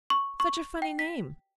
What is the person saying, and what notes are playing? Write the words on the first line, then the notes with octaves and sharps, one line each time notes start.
"Such a funny name."
C#6
C#6
G5
B6